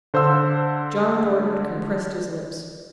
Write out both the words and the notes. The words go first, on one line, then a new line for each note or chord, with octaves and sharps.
John Thornton compressed his lips.
D3 C5 F5 E6